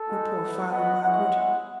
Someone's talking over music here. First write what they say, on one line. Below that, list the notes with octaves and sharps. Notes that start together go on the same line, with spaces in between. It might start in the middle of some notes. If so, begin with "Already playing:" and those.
Your poor father, Margaret.
Already playing: A4
G#3 D#4 F#4
B3 E4
B3 F#4 D#5 F#5
G#3 C#4 E4 D#5 F#5
G#3 B3 E4